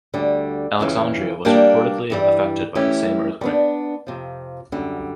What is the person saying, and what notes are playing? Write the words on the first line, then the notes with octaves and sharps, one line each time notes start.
Alexandria was reportedly affected by the same earthquake.
D2 D3 G3
F2 C#3 E3
G3 A#3 D4 G4
G2 E3 G3
E3 A3 C#4 E4 G4
G3 B3 D4
F2 C3 F3
F#2 D3 G3